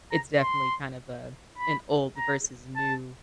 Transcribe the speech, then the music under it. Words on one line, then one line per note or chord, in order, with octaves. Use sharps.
it's definitely kind of a an old versus new
A#5
C6
B5
A#5
A5